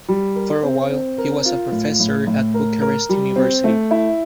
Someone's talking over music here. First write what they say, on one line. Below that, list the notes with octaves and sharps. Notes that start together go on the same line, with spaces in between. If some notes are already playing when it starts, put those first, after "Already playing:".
For a while, he was a professor at Bucharest University.
G3
A#4
C4
C4
A#4
F4
A2
A2
A2
A#4
A#4
G3
C4
A3
E4